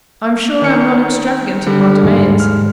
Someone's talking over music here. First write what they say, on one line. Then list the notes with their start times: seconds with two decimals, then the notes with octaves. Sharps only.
I am sure I am not extravagant in my demands.
0.62 D#3 C#7
1.66 D3 G3
2.03 D#2 G#2 G#3
2.40 F6